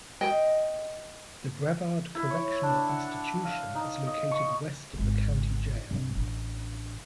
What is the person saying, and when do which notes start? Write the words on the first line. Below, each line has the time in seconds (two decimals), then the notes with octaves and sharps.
The Brevard Correctional Institution is located west of the county jail.
0.21 D#5 G5
2.15 E4
2.30 C#5
2.63 D4
2.89 F#5
3.45 F5
3.75 D#4
4.07 D#5
4.31 C#6
4.93 G#1 D3
5.91 C2 G2
6.15 A1 D4